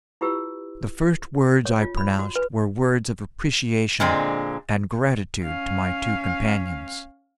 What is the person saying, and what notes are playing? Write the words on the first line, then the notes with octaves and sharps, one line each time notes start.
The first words I pronounced were words of appreciation and gratitude to my two companions.
E4 F4 G4 B4 E6
C#5
F4
B5
F#4
B4
A#2 D3 G#3 C4
C#4 F5